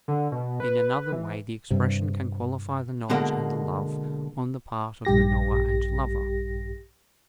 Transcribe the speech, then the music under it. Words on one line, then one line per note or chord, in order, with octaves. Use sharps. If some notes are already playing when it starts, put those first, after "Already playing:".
In another way the expression can qualify the knowledge and the love on the part of the knower and lover.
D3
B2
B4
E3
G2 C3
B2 D3 G#3 A#3
A#1 G2 G4 A#6